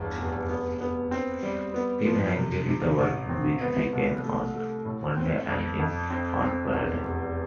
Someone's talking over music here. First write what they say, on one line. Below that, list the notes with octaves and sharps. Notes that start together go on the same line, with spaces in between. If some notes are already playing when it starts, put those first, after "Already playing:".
In Hungary the working week begins on Monday and ends on Friday.
Already playing: G1 E2
F1
B3
B3
C4
G3
B3
F3
C3
C3
A1
C4
B3
C2
A3
A3
A2
C4
F2
F2
C4
C4
E2
F1